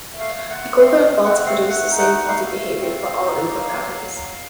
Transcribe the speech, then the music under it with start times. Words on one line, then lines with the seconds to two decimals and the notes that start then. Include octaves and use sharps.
Equivalent faults produce the same faulty behavior for all input patterns.
0.13 A3
0.20 F5
0.35 A3
0.50 F#5
0.57 A3
0.79 C4 F5
1.02 A3
1.24 C4 F#5
1.46 A3 F5
1.69 A3 F#5
1.91 D#4
1.99 F#5
2.13 A3
2.28 F5
2.36 A3
2.59 A3
2.81 C4
3.03 C4
3.25 D#4
3.48 A#3
3.70 F#3
3.92 F#3
4.15 F#3